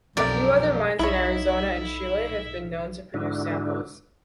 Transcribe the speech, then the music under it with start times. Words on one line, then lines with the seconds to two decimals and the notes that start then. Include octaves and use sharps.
A few other mines in Arizona and Chile have been known to produce samples.
0.17 B1 F2 C4 G4 A#4 D5
0.99 B1 D#4 E4 C#5 E5 B5
3.14 G#2 D3 D4 E4 F#4